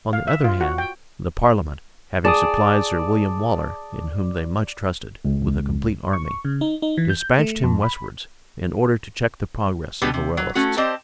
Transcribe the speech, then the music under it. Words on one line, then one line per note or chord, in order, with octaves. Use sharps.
On the other hand, the parliament, having supplied Sir William Waller, in whom they much trusted, with a complete army, despatched him westwards, in order to check the progress of the royalists.
F5
E5
F4
F#4
G5
G#4 D5 A5 D#6
C#2
C#6
C#3
D#4
D#4
E3
G6
A3
F2
B5
B2 D3 G3 B3 G4 B4
C3
F#3
A3 C#4 F#4
C4 G4 C5 D5 D#5 A5